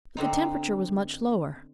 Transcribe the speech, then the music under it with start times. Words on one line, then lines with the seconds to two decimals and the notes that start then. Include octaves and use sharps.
But the temperature was much lower.
0.17 D3 C4 D#4